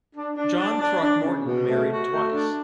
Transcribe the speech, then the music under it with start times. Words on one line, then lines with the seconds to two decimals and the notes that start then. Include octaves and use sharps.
John Throckmorton married twice.
0.15 D4
0.37 D4
0.59 D4
0.81 D4
1.02 D4
1.23 C#3
1.45 B2
1.67 A3
1.89 F#4
2.10 A3
2.32 D4